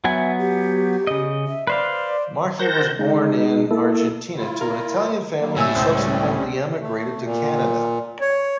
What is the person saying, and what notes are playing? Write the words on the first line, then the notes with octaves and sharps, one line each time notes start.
Marchi was born in Argentina to an Italian family who subsequently emigrated to Canada.
F#3 B3 E5 G#5
G4
C#3 D#5
E5
B4 C5 D5 F5
A#4 C5 F#5 A5 G6 A#6
G#3 D#4
A#3 E4 A4
E4 F4
A#4
F#3 G3 A#3
A2 E5 G#5 E6
C#2 C5 E6
G3 C4 C#4
A3
A#2
C#5